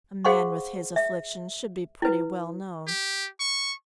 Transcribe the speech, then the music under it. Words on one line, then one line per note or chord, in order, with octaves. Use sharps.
"A man with his afflictions should be pretty well-known."
G#4 C5 F5 F#5 C6 C#6
E5
E4 B4
G4
C#6